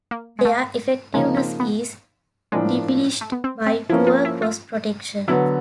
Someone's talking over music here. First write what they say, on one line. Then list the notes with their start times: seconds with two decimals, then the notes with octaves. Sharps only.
Their effectiveness is diminished by poor cross-protection.
0.11 A#3
0.39 G#3
0.45 A3
1.14 C#3 F3 G#3 A#3 D#4
1.37 C4
1.60 B3
2.52 A2 F3 G#3 A#3 D4
3.21 A3
3.32 B3
3.44 C4
3.66 C4
3.89 F3 E4
3.92 A#3 C#4
4.07 F4
4.25 E4
4.42 F4
5.28 D3 F#3 B3 E4